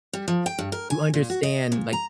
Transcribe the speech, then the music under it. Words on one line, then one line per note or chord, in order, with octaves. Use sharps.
you understand, like,
G3
F3
G5
G2
A#4
G#5
A#2
F#4
D#5
A#2
A#5